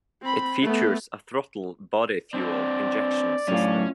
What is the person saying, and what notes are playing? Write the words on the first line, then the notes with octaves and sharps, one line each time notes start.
It features a throttle body fuel injection system.
C4 B5
A3 B3
C4 D4 D5
F#2 A2 C#4 F4